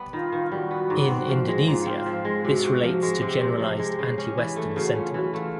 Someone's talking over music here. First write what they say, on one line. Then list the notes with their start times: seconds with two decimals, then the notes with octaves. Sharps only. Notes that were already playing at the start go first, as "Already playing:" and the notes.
In Indonesia this relates to generalised anti-Western sentiment.
Already playing: G3 B3
0.13 D#3 F4
0.32 D#3
0.52 G3 F#4
0.71 B3
0.90 G#2
1.10 C4
1.29 F3
1.48 G#3
1.67 G#2 F4
1.86 C4
2.06 F3
2.25 G#3
2.45 C3 F#4
2.64 C3
2.83 F3 F#4
3.02 G#3
3.21 C3 G4
3.41 C3
3.60 F3
3.79 G#3
3.99 C#3
4.18 C#4
4.38 E3
4.56 A3
4.76 C#3 F#4
4.95 C#4 F4
5.14 E3 F#4
5.33 A3 F4